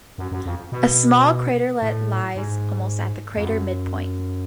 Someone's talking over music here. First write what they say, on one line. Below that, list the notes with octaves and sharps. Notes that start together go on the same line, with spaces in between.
A small craterlet lies almost at the crater midpoint.
F#2
F#2
F2
B2
A2
G#2
F2
F#2